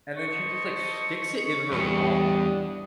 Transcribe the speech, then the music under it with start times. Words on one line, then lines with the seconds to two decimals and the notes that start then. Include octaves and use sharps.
and then she just, like, sticks it in her wall.
0.17 A4 C5 D#5 C#6
1.72 E2 G3 D4 D#6